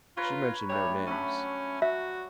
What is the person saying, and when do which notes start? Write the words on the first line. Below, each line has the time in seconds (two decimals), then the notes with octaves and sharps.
"She mentioned no names."
0.17 F4 A#4 B4 C#5
0.69 G3 A3 D4 C#5
1.07 F#3 A3 C#4 B5
1.82 F#4 E5